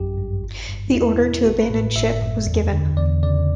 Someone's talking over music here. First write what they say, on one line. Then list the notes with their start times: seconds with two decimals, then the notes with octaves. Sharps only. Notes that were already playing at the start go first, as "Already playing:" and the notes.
The order to abandon ship was given.
Already playing: A1 F#2 G4
0.18 G2
0.44 G1
0.69 G2
0.94 E2 E4
1.20 B2
1.45 A1 F#4
1.61 B4
1.70 A2
1.96 G1 E5
2.22 F#2
2.47 E2
2.72 D3
2.97 E2 D5
3.23 C#3 D5